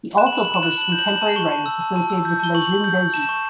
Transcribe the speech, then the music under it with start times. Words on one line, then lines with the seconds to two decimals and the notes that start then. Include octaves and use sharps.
He also published contemporary writers associated with La Jeune Belgique.
0.17 F#6 E7
0.27 F#7
0.33 B5 E7
0.45 B5 F#7
0.54 E7
0.63 F#6 F#7
0.72 E7
0.78 A5 F#7
0.90 G6 E7
0.99 F#7
1.06 A5 E7
1.18 A5 F#7
1.27 E7
1.36 C#6 G7
1.51 A5
1.66 E6
1.81 A5
1.96 A5
2.10 E6
2.25 G6
2.40 A5 G7
2.55 C#6 F#7
2.69 C#6
2.84 G6
2.99 G6
3.14 A5 E7
3.29 C#6